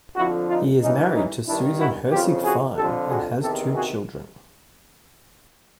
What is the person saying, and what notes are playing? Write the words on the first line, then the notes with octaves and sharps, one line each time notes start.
He is married to Susan Hirsig Fine and has two children.
F2 D3 F3 E4 F#4
D#4 F4
G2 E3 C#4 D#4
C#4 D#4
G2 D#3 D4 E4
E4 F#4
F2 C#3 F3 F4 G4
F#4 G#4
F2 D3 F3 G4 A4
F#4 G#4
E2 C3 D#3 G4 A4
F#4 G#4